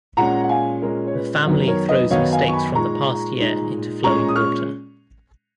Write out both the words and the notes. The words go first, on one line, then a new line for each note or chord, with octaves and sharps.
The family throws mistakes from the past year into flowing water.
A#2 G#3 C#4 F#5 A#5
F#5
F5 G#5
A#2 G#3 C#4 A#4
C#5
B4
F#2 D#3 F#3 B3 D#4 B4
A#4 C#5
B4 D#5
F#2 D#3 F#3 B3 D#4 C#5 F5
F5 G#5
C#6
G#5 B5
A#2 G#3 D#4 A#5 C#6
A#2 G#3 D#4
A#2 G#3 C#4 A#5 C#6
D#6
C#6 F6